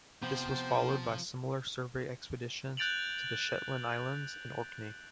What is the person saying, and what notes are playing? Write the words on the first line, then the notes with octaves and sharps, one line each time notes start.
This was followed by similar survey expeditions to the Shetland Islands and Orkney.
C3 F3 B3 C5 G5 B5
F#6 G6 A6 D7 F7 F#7